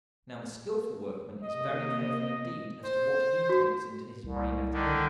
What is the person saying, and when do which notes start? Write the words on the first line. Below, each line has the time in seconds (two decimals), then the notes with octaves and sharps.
Now the skilful workman is very careful indeed as to what he takes into his brain-attic.
1.43 C3 A#3 D#5
2.83 C5
3.49 F#4
4.24 C2
4.72 D3 D#3